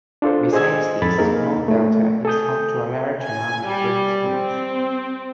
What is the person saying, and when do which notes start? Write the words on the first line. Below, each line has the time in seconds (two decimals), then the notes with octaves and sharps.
Besides this, North Delta is home to a large amount of green-space.
0.22 D4 F4 A4 C5
0.53 G#4 C5 D#5 G#5 E6 G#6
1.02 F2 A4 B5 A6
1.18 A#3 D#4 G#4 A#4 D#5
1.68 A3
2.25 A4 G#5 D#6 G6
3.22 G#5
3.67 G3
4.24 C4